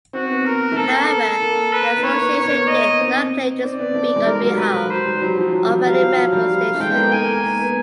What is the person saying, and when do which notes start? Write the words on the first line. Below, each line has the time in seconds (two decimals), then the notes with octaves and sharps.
However, the association did not claim to speak on behalf of any member stations.
0.13 C4 F#4
0.30 B3
0.45 A#4
0.72 A3
0.77 A#3 A4
1.40 A#3
1.72 B4
1.97 B3
2.04 A#3 C#5
2.20 B3
2.36 B3 C#5
2.46 A#3
2.55 B3
2.67 D#5
2.99 C4
3.63 C4 D5
3.79 B3
3.94 A3
4.16 G#3
4.26 G3 A#4
4.42 F#3
4.58 B4
4.74 F#3
4.90 F#3 C5
5.05 G3
5.21 F#3
5.37 F3
5.53 F#3
5.69 G3
5.84 F#3 F5
6.01 F3
6.17 F#3 F5
6.33 G3
6.75 A3
6.80 G#3 G5
6.91 B3
6.96 A#3
7.12 A#3 G#5
7.44 B3
7.60 B3